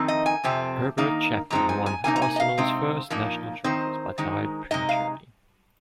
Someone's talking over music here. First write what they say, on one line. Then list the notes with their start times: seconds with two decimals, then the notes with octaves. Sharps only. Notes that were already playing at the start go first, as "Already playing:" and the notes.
Herbert Chapman won Arsenal's first national trophies, but died prematurely.
Already playing: F2 D#3 C4 D#4
0.08 D#5
0.26 G#5
0.44 F2 C3 F3 C4
0.98 D#3 A#3 D#4
1.50 G#2 F3 G#3 C4 D#4 A#5
1.69 G#5
1.86 G#5
2.04 C3 F3 A#3 D#4 G#5
2.16 A#5
2.22 G#5
2.36 D#5
2.40 F5
2.58 C3 G#3 C4 D#4
3.10 A#2 F3 A#3 D#4
3.64 D#3 C4 D#4 C5
4.18 D#3 G#3 D#4
4.71 C3 G#3 D#4 D#5
4.89 F5